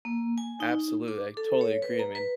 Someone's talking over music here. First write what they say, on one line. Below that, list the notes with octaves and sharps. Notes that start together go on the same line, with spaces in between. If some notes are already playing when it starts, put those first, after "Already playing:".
Absolutely, I totally agree, I mean,
A#3
G#5
D#4
D6
A4
C#5
B4
A#5
B4